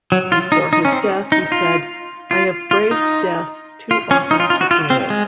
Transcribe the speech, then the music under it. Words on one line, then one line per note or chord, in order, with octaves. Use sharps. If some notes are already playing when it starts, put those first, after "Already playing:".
Before his death, he said; I have braved death too often to fear it.
F#3
F4
D#4
D#4
C#4
C4
D#4
F4
F4
F4
D#4
F4
C#4
D#4
F4
F4
F#4
F4
C4
G#3